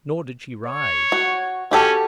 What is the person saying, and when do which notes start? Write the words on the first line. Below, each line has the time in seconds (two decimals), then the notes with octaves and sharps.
Nor did she rise.
0.65 C#5
1.12 F#4
1.71 C#4 F#4 G4 A4